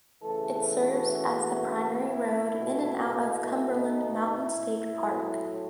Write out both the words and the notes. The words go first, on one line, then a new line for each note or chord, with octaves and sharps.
It serves as the primary road in and out of Cumberland Mountain State Park.
C#3 E3 A3 A4
A4
F#4
E4
B2 A3
E4
D#4
E4
A2 F#3 A3